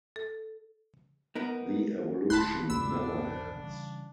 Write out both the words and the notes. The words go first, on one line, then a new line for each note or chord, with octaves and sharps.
The evolution never ends.
A4
B3 D#4 A#4
D1 A#2 A5 B5 C6 F#6 B6
A#1 E2 G#2 D4 B5 E6
C#3 E3 G3